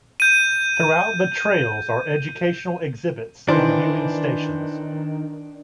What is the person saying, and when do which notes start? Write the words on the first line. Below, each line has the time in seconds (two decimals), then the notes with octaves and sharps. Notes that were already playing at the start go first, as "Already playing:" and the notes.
Throughout the trails are educational exhibits and viewing stations.
0.20 G6 D#7
3.49 D#3 E3 D4 C5